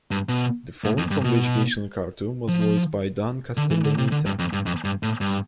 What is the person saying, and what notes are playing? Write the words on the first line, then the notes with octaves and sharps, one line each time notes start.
The phone from the educational cartoon was voiced by Dan Castellaneta.
G2
B2
A2
F2
G2
B2
F3
D3
E3
D3
C3
D3
G2
F2
G2
F2
G2
A2
G2